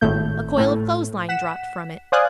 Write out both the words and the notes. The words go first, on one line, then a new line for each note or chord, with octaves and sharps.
A coil of clothes line dropped from it.
G#1 A2 A3 G6
A2 A3
F#5 B6 E7
C5 D5 F5 G#5 D#6 F#6